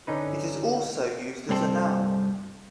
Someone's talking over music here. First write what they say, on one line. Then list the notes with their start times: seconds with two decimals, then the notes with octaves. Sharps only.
It is also used as a noun.
0.07 D3 C#4 D#4 B4
1.49 C2 G2 C4 A4